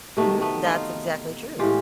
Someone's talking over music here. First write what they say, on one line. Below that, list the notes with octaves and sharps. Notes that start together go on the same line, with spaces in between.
Mhm, that's exactly true.
C3 D#3 F#3 A3 B3
A3 B3
D#4 F4
A2 E3 G#3 F4 G4